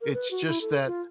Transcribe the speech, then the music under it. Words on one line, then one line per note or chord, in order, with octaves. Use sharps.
It's just that
A#4
B4
F#4
E4
A4
F4